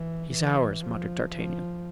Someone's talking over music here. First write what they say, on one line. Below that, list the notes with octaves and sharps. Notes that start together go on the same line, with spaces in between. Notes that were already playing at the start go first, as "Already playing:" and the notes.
"He's ours," muttered D'Artagnan.
Already playing: E3
E3
F3
F3